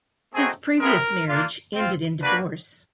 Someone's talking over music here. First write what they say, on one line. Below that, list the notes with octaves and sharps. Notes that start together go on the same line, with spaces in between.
His previous marriage ended in divorce.
A3 C4 D#4 F#4 G#4
G#3 B3 E4 G4 A#4
A#3 D4 F4
C4 F4
A#3 D4 F#4 B4